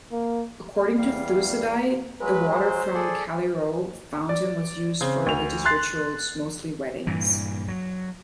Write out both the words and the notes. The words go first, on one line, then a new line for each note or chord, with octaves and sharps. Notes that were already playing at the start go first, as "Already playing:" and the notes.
According to Thucydide, the water from Callirhoe fountain was used for religious rituals, mostly weddings.
A#3
E2 G3 F5
F#3 G#3 B4
C5
G#4 A4 D5
D5
C#3 C4
D2 F7
C6 F#6 A6 C7
G2 A#2 E3
F#3